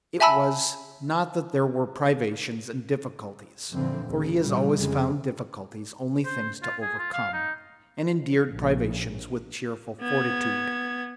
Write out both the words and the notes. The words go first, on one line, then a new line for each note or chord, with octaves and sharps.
It was not that there were privations and difficulties, for he has always found difficulties only things to overcome, and endured privations with cheerful fortitude.
E5 G#5 A5 B5 E6
A#1 F2 A#2 D3 E3 C4
D2 C#3
A#2 E3 G3
F2 C#3 G#3
C5
F4
G#4
F4
F5
D#4
A#1
B3 G#6